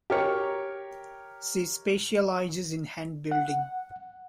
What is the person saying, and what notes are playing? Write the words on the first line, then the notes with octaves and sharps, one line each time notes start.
She specializes in hand building.
G4 A#4 C#5
F#5